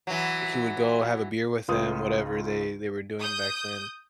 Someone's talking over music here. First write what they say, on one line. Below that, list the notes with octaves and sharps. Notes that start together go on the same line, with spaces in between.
he would go have a beer with them, whatever they they were doing back then,
E3 F#3
C#2 F4 B4 D#6
D#6 G6